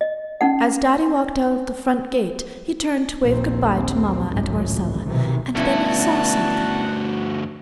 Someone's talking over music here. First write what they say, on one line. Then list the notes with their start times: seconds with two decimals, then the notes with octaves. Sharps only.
As Daddy walked out of the front gate, he turned to wave good-bye to Mama and Marcella and then he saw something.
0.01 D#5
0.41 C#4 D#4 F#5
3.23 A#1 D#2 C4
4.25 G#1 C#2 F#2 A2
5.06 B1 C3 D#3 E3
5.55 D2 G2 B3 C#4 E4 F#4 A5